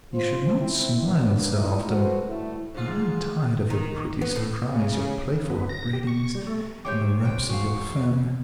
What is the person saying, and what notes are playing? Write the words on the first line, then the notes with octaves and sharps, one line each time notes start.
You should not smile so often; and I am tired of your pretty surprise, your playful upbraidings, and the raps of your fan.
F4 C5
C4 E4
F#3 A#3 B3 D4
A#2 G#3 A3 D#4 E4 D#5
F#4 G#4 A4 B4 C5
A2 D3 A3 E4
G#2 F4
D#3
B3
A2
C#3
B3
A#6
G4
C#6
G3
A3
G4 G#4 C5 C#5 E5 G5 D6 G6
G3 C4 G5
E2 F#4 F5